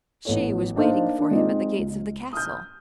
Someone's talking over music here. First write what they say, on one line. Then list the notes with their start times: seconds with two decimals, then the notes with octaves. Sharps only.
She was waiting for him at the gates of the castle.
0.25 A1 B3 A4 C#5
0.75 A#3 D4 D#4 C5 F5
1.19 D4
1.31 G#3 C4 D#4 F4
1.78 C#2
2.33 D#6 F6 G6